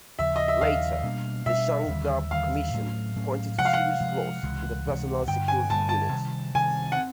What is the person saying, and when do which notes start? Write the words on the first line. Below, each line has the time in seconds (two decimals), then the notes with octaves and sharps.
Later, the Shamgar Commission pointed to serious flaws in the personal security unit.
0.19 D#2 C#3 F3 E5
0.36 D#5
0.48 E5
0.61 D#2 C#3 F3 F5
1.03 B2 G3 A#3 D4
1.46 B2 G3 A#3 D4 E5
1.88 D#2 D3 G3
2.31 D#2 D3 G3 F5
2.73 A2 F#3 A3 C#4
3.16 A2 F#3 A3 C#4
3.58 C3 F3 G#3 F#5
3.65 F5
3.73 F#5
4.00 C3 F3 G#3
4.43 C#2 C3 E3 G#3
4.85 C#2 C3 E3 G#3
5.27 G2 D3 G3 G5
5.48 G#5
5.70 G2 D3 G3 A5
5.89 A5
6.13 C3 D#3 G3
6.54 C3 D#3 G3 G#5
6.92 F#5
6.97 C4